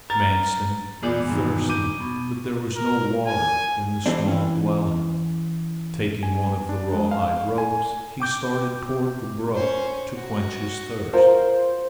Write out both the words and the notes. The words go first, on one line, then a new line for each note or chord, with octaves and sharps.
Manstin grew thirsty, but there was no water in the small dwelling. Taking one of the rawhide ropes he started toward the brook to quench his thirst.
A#4 A6
E2 G#4 D5
G2 A#2 D#3
D6 G6 D#7
B2
A#4
G#5
A2 E3 G3 C4 D4
E3 C#4
G#5
D4
G#3
F5
G#5
G5 D6 G6
C#4 C5
F#4
F4 A#4 C5